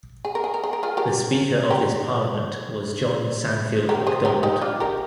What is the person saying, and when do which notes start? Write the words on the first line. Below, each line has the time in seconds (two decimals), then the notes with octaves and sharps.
The Speaker of this parliament was John Sandfield Macdonald.
0.25 G#4
0.35 A#4
0.44 G#4
0.54 A#4
0.64 G#4
0.73 A#4
0.83 F4 G#4
0.97 G4 A#4
1.70 G4 A#4
3.89 G4 A#4
4.07 G#4 C5
4.25 G4 A#4
4.43 D#4 G4
4.61 D4 F4
4.80 G4 A#4